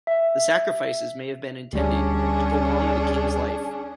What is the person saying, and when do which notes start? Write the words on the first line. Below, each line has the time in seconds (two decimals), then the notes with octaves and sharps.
The sacrifices may have been intended to prolong the king's life.
0.07 E5
1.73 D2 G3 C#4 D4 G#4